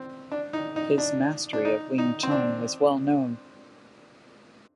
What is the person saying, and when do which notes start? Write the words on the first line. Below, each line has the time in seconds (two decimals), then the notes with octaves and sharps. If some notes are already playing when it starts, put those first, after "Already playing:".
His mastery of Wing Chun was well known.
Already playing: C4
0.32 D4
0.53 D#4
0.76 D#4
0.98 D4
1.53 D4
1.65 D#4
1.98 D#4
2.23 C4
2.31 D4